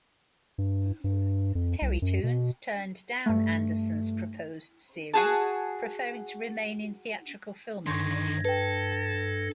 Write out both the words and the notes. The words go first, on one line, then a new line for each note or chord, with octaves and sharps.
Terrytoons turned down Anderson's proposed series, preferring to remain in theatrical film animation.
G2
G2
F2
C2
F#2
B2
G2 A3
F#4 G#4 A5
G2 D3 D#3 C6 C#6 G#6 A#6
A4 B4 G5